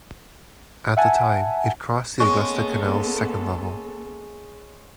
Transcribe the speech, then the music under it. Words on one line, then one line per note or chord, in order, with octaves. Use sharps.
At the time, it crossed the Augusta Canal's second level.
E5 F#5 G#5 A5
G#3 A#3 B3 C#4 A4 C#6